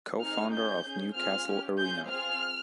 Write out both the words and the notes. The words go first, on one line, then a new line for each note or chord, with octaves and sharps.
Co-founder of Newcastle Arena.
C4 D#4 G#4 F6
C#4 G#4 G6
C#4 G#4
C4 F4 G#4 F6
C#4 G4
C#4 F4 G#4 G6
C4 F4 G#4 F6